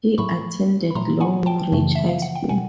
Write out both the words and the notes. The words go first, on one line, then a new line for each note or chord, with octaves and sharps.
He attended Long Reach High School.
A2 F#3 A3 B5 C#6
B5
A#2 F#3 A3 A#5 C6
F#5 G#5
G5 A5
F#2 C#3 E3 A3
E5
F5
F#5
G5
B2 G3 F#5 G#5